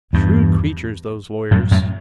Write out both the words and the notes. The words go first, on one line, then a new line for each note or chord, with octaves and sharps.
Shrewd creatures, those lawyers.
E2 G2
F#2 A2
F#2 A2